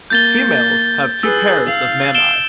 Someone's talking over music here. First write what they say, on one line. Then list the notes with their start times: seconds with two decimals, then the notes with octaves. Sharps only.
Females have two pairs of mammae.
0.10 A#3 G6 A6 G7
1.23 G#4 B4 E6
1.67 F5
2.15 D7 E7 G7